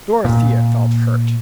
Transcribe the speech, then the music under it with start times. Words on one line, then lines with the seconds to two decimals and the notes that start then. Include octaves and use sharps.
Dorothea felt hurt.
0.25 A#2